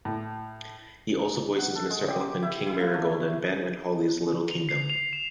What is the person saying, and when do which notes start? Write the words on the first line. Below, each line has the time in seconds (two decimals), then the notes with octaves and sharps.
He also voices Mr. Elf and King Marigold in "Ben and Holly's Little Kingdom".
0.05 A2
1.58 F#5
1.76 A4
1.90 G#3
2.09 G4
2.20 D6
2.42 E4
2.66 E4
2.80 A#3
2.94 A3
4.51 F7
4.69 C7
4.90 F7
5.13 E7